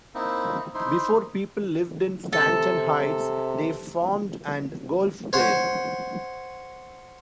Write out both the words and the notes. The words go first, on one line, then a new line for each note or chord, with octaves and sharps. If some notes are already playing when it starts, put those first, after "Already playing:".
Before people lived in Stanton Heights, they farmed and golfed there.
A#3 C4 D#4 E4
D#4 E4 C5
C3 A4 A5
C5 C#5 F#5